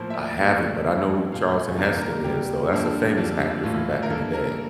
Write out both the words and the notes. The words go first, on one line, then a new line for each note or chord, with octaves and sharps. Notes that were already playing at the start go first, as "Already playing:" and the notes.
I haven't, but I know who Charleston Heston is, though. That's a famous actor from back in the day.
Already playing: A2 F3 A#3 C5
E5
D5
A2 G3 A#3 F5
F5
D5
F2 E3 A3
A#2 A3 F5
E2 C3 G3 A#3 A#4
A#4
C3 G3 A#3 G4
G2 D3 F3 A#3
F2 D3 G3 A#3
A2 E3 A3 F4
A#4
G2 E3 A#3 A4
A#4